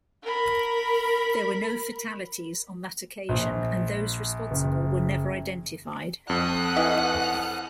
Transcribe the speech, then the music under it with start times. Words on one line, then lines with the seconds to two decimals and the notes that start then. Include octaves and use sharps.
There were no fatalities on that occasion and those responsible were never identified.
0.23 A#4 B5
3.29 A#1
4.51 F#1
6.30 F2 A4 F#5 D#6 F#6
6.76 E3 E4 D#5